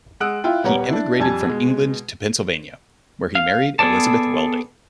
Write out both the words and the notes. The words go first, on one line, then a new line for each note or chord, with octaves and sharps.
He emigrated from England to Pennsylvania, where he married Elizabeth Welding.
G#3 F#5 D#6 E6 F#6 D7
E4 F4 G5
D#1 G3 B3 C#5 F#5 A#5
D4 E4
F2 G3 G#5 A5 G#6
B2 G#3
F5
B3 G#4 A4 D5 A5